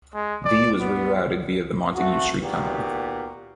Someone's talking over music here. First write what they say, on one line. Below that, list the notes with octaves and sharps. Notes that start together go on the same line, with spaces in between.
The was rerouted via the Montague Street Tunnel.
G#3
D5
B3
A3 C4 F#4
A#2 D#3 B3 F#4 G4